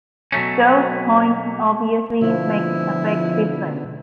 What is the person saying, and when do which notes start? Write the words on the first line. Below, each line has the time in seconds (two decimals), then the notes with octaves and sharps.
Those points obviously make a big difference.
0.32 B2 F#3 A3 C#4
2.21 B2 D3 F3 E4